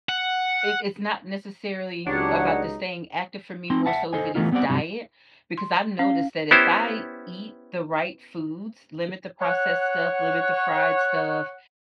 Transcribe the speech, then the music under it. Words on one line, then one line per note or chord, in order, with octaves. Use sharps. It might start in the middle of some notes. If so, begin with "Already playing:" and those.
It it's not, necessarily f about the staying active for me, more so as it is diet because I've noticed that if I eat the right foods, limit the processed stuff, limit the fried stuff,
F#5
C#2 F#3 D4 D#4 G4 C#5 F#5
C4 D#4 C6
E5 F#5 A5
A4 C5 D#5 G#5
E3 G#3 A3 B3 D#4 F4
G3 B3 C4 B4 D5 F#5
G2 C3 F#3 D#4
C6
C#4 F5
B3 C#4 E4 G4 C5
C#5 F#5